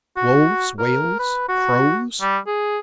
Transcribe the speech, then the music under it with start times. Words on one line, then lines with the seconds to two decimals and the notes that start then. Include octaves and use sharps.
Wolves, whales, crows?
0.17 F#4
0.79 A#4
1.19 B4
1.49 F#4
2.21 G3
2.47 G#4